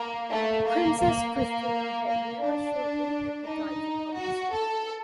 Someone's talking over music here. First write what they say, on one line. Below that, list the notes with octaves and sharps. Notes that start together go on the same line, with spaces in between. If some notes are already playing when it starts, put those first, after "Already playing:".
Princess Christina had never shown any appetite for publicity.
Already playing: A#3
A3
A#3
A#3
A#3
A#3
D4
D#4
F#4
A4